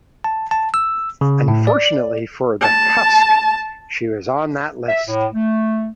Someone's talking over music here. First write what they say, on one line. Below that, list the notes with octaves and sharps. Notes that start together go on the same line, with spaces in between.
Unfortunately for the "Cusk", she was on that list.
A5
A5
E6
C#3
A2
D5
A5
E5
A2
A3